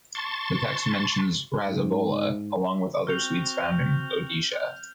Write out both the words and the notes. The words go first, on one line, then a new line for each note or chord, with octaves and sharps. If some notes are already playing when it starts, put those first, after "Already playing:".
The text mentions Rasagola, along with other sweets found in Odisha.
A5 C6 C#6 A6
G#2
C4 F#4 F6 G6 F7